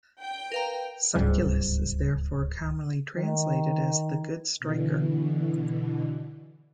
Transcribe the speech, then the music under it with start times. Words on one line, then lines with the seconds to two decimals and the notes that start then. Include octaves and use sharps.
"Sucellus" is therefore commonly translated as 'the good striker.
0.20 G5
0.52 A#4 B4 F5 A#5
1.15 D1 C#2 G#2 G3
3.17 D#3
4.59 B2 D3 E3